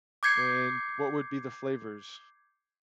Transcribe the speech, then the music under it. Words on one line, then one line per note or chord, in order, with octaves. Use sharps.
And what would be the flavors
D6 G6 G#6 C7 C#7